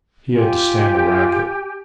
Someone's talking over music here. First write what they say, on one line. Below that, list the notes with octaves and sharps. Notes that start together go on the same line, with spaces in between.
He had to stand the racket.
F4 G4 G#5